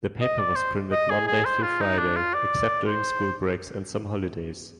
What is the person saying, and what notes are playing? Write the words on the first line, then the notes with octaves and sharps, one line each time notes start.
The paper was printed Monday through Friday, except during school breaks and some holidays.
D#5
D5
C5
D#5
G#4
G#4
C5
F4
D#4
D4
F4
D5
C5